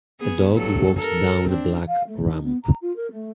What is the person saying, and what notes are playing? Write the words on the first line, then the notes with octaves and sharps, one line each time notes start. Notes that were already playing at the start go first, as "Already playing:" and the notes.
A dog walks down a black ramp.
B3 G#4
G2 F#3 A4
A4 A#4
C4 D4
F5
A3
D#4
B3
A#5
F4
A#4
A3